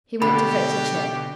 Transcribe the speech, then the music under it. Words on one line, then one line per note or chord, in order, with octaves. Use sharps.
He went to fetch a chair.
B2 D3 G4 B5